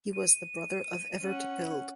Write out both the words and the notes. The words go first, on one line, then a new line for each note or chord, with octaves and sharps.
He was the brother of Evert Bild.
D#7
C#4 F#5